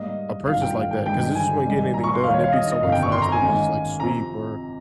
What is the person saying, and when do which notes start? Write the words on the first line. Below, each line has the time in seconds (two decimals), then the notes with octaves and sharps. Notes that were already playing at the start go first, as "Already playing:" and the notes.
a purchase like that 'cause it just wouldn't get anything done, it'd be so much faster to just, like, sweep or
Already playing: G#2 G3 A#3 D#5
0.47 G#1 G2 F3 F5
0.62 G5
0.76 F5
0.91 G5
1.05 G2 D#3 G#3 G5
1.20 G5
1.35 G#5
1.64 G#1 G#2 D#3 G3
1.94 A#5
2.04 C#6
2.14 C6
2.23 D#2 D#3 G3 F5
2.34 C#5
2.44 F5
2.52 D#5
2.68 D#5
2.82 G1 F2 C3 D#3 A#3 F5
2.92 G5
3.03 C#6
3.12 C6
3.22 A#5
3.32 G#5
3.41 G#2 D#3 A#3 C#4
4.00 C3 F3 C4 A#5